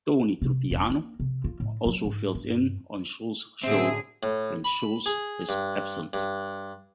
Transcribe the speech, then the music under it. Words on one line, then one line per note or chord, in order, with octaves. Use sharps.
Tony Trupiano also fills in on Schultz's show when Schultz is absent.
C3
E1
A#3
C3
F4
A2
F#3
G#2
G2
A2 D3 C4 G#4 E5
A2
B5
G#4
G2
G2